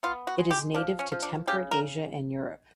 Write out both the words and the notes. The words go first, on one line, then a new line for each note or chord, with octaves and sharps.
It is native to temperate Asia and Europe.
B3 F4
F#4
G#3
G4
F3 D4
C#4
F3
D4
C#3 G4
A#4